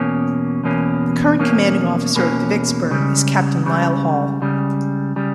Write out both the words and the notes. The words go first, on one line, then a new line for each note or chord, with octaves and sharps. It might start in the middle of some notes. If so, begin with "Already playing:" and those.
The current commanding officer of the "Vicksburg" is Captain Lyle Hall.
Already playing: E2 B2 A#3 C#4
E2 B2 A#3 C#4
E2 B2 A#3 C#4
E2 B2 A#3 C#4
C#2 C#3 G3
C#2 C#3 G3
C#2 C#3 G3
C#3 G3